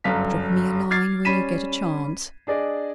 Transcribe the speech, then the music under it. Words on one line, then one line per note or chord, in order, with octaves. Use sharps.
"Drop me a line when you get a chance."
G1 F#2 A4 F5 B6
D6 F6 G#6 A6 C7
G3 C#4 B5 B6 D#7 E7
D4 G#4 D5 D#5